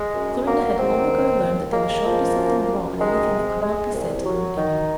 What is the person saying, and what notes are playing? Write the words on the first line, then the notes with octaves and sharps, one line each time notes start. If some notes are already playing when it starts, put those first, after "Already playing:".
Clorinda had long ago learned that there was sure to be something wrong in anything that could not be said to Aunt Emmy.
Already playing: G#3
F#2
F#3 A#3
D#3 C4
D#2
D#2
G#3 A#3
F3
F#2
F#2
D#3 G#3
C3
G#3
C2
F#3
D#3